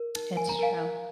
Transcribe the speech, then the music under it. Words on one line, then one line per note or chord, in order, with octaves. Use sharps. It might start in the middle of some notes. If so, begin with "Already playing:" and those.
It's true.
Already playing: A#4
D#4
A#4 G#5
A#5
A#4 F5 G#5